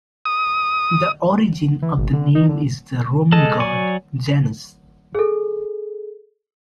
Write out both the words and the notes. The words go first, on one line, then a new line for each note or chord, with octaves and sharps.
The origin of the name is the Roman god, Janus.
D#6
E3
G#1
D3
D#4
D3
G#3 A4 D#5 A5
F#3 D5 G#5 C#6
G#4 A4